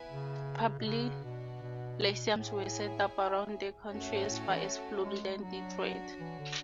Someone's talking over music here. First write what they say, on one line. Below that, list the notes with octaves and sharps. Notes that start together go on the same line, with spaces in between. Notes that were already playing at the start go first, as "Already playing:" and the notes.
Public Lyceums were set up around the country, as far as Florida and Detroit.
Already playing: B3 E4 B4 E5 G#5
C#3
B2
C#3 B3 D4 F#4 B4 F#5
B2
B2
A2 E4 G#4 C#5 E5 G#5
F#2 A3 C#4 F#4 A4 C#5
G#2
A2
E3
G#3
F#3 D4 F#4 C#5
E3
D3